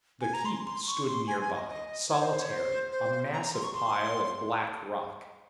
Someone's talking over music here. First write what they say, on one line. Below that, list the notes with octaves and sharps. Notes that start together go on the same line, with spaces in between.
The keep stood nearby, solitary, a massive pile of black rock.
G#5
A#5
C6
C6
C#6
C6
G#5
G#5
D#5
D#5
C#5
C5
C5
C#5
C5
C5
A#5
A#5
C6
C#6
C6